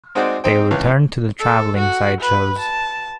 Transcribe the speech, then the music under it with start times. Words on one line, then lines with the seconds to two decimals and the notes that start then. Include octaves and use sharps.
They returned to the travelling sideshows.
0.15 G#3 C4 D#4 F#4 C5 D5
0.44 C4 D#4 C5 G5
0.71 C#2 E3 C#5
1.39 A4
1.77 F#4
2.21 B4
2.59 A5